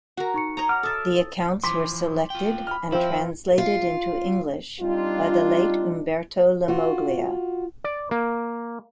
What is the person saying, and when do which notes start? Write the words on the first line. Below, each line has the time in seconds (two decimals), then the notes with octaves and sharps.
The accounts were selected and translated into English by the late Umberto Lammoglia.
0.17 F#4 A#4 F#5
0.34 D#4 C#6 C#7
0.57 C#5 D#5 A#5
0.69 F#5 D6 F6
0.83 A4 E5 D#6 E6 A6
1.64 E3 F3 C6 D6 B6
2.30 F4 G5
2.67 B5 F6
2.92 F3 C4 E4
3.58 F4
4.80 G3 C4 D4 D#4 F4
6.68 F4 F#4
7.84 D5
8.11 A#3